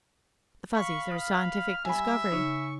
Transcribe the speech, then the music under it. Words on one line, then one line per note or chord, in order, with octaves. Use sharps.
The Fuzzies are a scientific discovery.
F5 B5 C#6
D#6 F6
G3 E5 G#5 B5
C#3 D#4 C#6